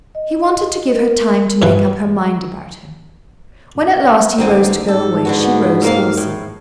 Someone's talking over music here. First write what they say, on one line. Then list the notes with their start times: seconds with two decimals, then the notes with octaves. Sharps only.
He wanted to give her time to make up her mind about him. When at last he rose to go away, she rose also.
0.15 D#5
0.92 A#4
1.62 G2 E3 B4
4.38 A1 D3 C4 D#4
4.88 G#2 A4
5.25 D3 B3 F#4
5.82 F2 A#3 F5
6.17 A2